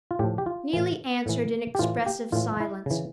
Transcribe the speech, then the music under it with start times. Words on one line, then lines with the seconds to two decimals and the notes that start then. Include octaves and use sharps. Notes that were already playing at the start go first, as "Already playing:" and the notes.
Neelie answered in expressive silence.
0.11 F4
0.19 A2 F3 G4
0.38 G4
0.46 F4
0.73 A2 E3
1.26 A2 E3
1.75 G4
1.79 A2 E3 F4
2.06 G4
2.32 A2 E3 F4
2.60 E4
2.86 C#3 E3